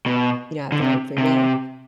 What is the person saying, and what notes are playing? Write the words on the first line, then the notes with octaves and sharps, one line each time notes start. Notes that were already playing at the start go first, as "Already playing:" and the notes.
you know, at their own free will,
B2
D3
C3
C3